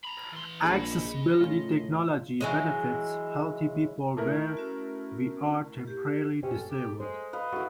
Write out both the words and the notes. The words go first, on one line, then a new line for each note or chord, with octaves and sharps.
Accessibility technology benefits healthy people, where we are temporarily disabled.
A#5 B5
E3 C6
A#1 G#4 D#5 B5
A2 C#3 F4
E3 F#3 G#3
A3 E4 A#4
C#4 F#4
G4
C#4 G4 C5 E5
A4
G4
G#3 C5
B4 D#5 F5
E4 F#4 A4 A#4